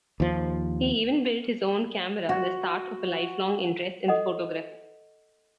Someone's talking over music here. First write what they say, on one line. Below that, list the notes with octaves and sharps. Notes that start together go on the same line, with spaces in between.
He even built his own camera, the start of a lifelong interest in photography.
D#2 F3
F#4
A4 D#5 F#5